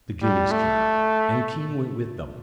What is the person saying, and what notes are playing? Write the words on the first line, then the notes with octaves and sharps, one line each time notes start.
The gillies came, and the king went with them.
G3
A3